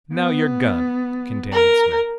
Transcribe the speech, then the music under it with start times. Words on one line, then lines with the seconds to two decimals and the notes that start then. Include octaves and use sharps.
"Now your gun!" continued Smith.
0.14 B3
1.52 A#4